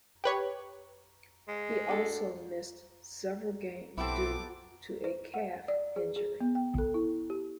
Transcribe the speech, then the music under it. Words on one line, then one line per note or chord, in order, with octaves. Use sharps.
He also missed several games due to a calf injury.
G4 B4 C#5
G#3
D4 F#4 A4
B1 B3 C4 E4 G4 A4 D6
C5
F#5
D5
G#4
G#4
B3
G5
A4
E4
G4